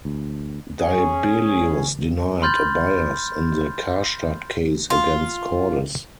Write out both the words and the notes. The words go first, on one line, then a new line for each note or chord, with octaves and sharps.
Dibelius denied a bias in the "Karstadt" case against Cordes.
D2
C#4 G#4
B5 C6 F6 G6 A6
F4